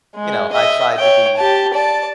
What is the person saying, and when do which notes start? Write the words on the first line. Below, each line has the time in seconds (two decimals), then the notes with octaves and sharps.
you know, I tried to be
0.16 G#3
0.53 D#5 E5
0.97 C#5 G5
1.37 G4 A5
1.73 D5 A5